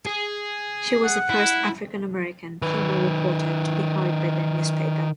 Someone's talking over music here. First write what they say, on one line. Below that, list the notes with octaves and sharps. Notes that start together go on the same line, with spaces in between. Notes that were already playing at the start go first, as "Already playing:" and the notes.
She was the first African-American female reporter to be hired by the newspaper.
G#4
F#5
E4
D#3 B4